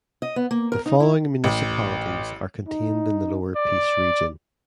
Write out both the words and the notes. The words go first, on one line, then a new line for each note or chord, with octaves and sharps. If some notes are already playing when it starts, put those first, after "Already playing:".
The following municipalities are contained in the Lower Peace Region.
D#5
B3
A#3
A#4
D#4
E4
A1
D#4
D5